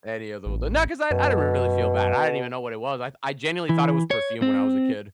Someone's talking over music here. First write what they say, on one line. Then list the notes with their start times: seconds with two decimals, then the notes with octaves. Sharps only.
Any of them, wel not 'cause I I didn't really feel bad, I didn't even know what it was, I I genuinely thought it was perfume when I was a kid,
0.46 A1
1.11 F#2 B2
3.69 E3
4.11 C#5
4.42 C4